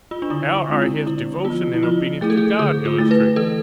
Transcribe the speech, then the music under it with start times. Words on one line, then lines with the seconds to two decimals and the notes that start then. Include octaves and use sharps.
How are his devotion and obedience to God illustrated?
0.11 F4
0.22 D4
0.30 D3 E4
0.57 D4
0.69 G#3 C4 F4
0.82 E4
1.07 D3 E4
1.45 B3 F4
1.50 F3
1.74 E4
1.83 F3 F4
2.21 A3 E4 G#4
2.30 A4
2.37 G#4
2.59 D3 G#4
2.85 F4
2.99 A3 E4
3.11 B4
3.36 E3 A4